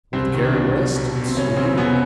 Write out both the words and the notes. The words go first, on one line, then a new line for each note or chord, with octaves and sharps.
With care and rest, it soon healed.
C2 C4
D#3
D4
C2
B2
B1
B1
C4
F1 C#4
C#3 C4
F1 B3